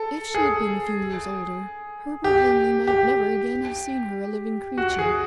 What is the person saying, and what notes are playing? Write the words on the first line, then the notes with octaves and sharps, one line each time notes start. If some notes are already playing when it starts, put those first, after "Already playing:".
If she had been a few years older, Herbert Linley might never again have seen her a living creature.
Already playing: A4
G#4
G4
G4
F#4
G#4